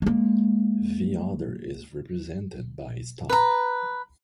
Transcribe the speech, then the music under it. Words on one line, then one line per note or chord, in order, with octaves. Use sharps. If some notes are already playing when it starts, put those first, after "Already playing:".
The other is represented by Stock.
G#3 A#3
B4 A#5